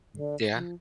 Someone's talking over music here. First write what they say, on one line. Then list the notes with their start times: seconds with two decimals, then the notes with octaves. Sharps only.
M Yeah.
0.15 D3
0.54 F3